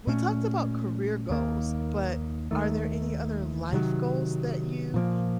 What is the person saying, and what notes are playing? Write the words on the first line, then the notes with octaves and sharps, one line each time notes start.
We talked about career goals, but are there any other life goals that you,
A#2 A3 C#4
D#2 D#3 A#3
D#2 D#3 A3
C3 D#3 F#3
A#2 F3 A#3